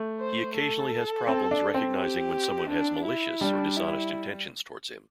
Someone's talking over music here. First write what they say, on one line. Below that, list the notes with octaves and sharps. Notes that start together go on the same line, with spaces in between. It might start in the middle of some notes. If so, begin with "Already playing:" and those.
He occasionally has problems recognizing when someone has malicious or dishonest intentions towards him.
Already playing: A3
C5
A4
C4
D4
C4
G4
D4
E4
G3 D4
E4